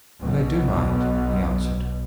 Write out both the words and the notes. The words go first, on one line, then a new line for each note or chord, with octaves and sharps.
"But I do mind," he answered.
B1 B2